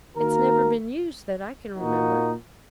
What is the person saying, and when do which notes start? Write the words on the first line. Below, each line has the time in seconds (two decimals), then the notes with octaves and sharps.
"It's never been used that I can remember."
0.17 D#3 A#3 F#4 A#4
1.77 A#2 A#3 D#4 F#4